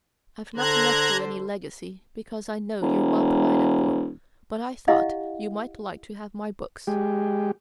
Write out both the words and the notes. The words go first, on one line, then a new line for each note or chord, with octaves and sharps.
I've not left you any legacy, because I know you're well provided for, but I thought you might like to have my books.
D3 C5 A#5 F#6 G#6
E1
E4 G4 D#5 F5 F#5
G#3 G4